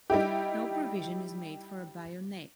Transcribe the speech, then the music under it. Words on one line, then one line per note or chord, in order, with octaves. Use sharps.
No provision is made for a bayonet.
G3 D#4 E4 G4